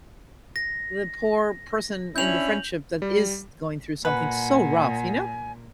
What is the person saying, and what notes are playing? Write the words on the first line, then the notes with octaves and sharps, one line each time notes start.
the poor person in the friendship that is going through something so rough, you know?
A#6
C#4 D4 E4 G6 F7 F#7
G3
A#2 B4 F#5 G#5